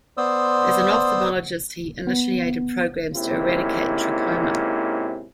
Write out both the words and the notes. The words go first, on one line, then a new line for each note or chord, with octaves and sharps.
As an ophthalmologist, he initiated programs to eradicate trachoma.
B3 C5 D5 C6 D#6 E6
B3
G#2 C3 A#3 C#4 E4